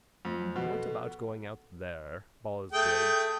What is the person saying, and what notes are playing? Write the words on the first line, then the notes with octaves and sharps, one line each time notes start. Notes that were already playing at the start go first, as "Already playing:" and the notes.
What about going out there: Ballsbridge.
F2 A3
F#3
B2 F3
A4
A3 G#4 G5